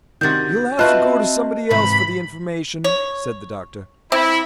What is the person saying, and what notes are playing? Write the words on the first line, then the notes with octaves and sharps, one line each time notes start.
"You'll have to go to somebody else for the information," said the Doctor.
C3 D#3 D4 F#4 G6 A6
C4 F4 F#4 B4 D#5 E5 A5 F#6
G#2 C3 E3 B5
C#5
C4 E4